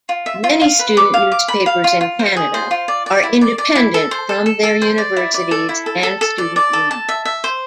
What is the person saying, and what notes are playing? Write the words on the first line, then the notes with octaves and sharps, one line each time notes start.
Many student newspapers in Canada are independent from their universities and student unions.
F4
E5
F4
F4
B4
D6
F5
D6
B5
F5
F4
F4
C5
G#4
C5
F4
D5
D5
E4
D5
D5
E4
A4
C5
A4
A4
A4
C5
D5
E4
D5
A4
E4
A4
A4
A4
D5
D5
A4
A5
E5
E5
C5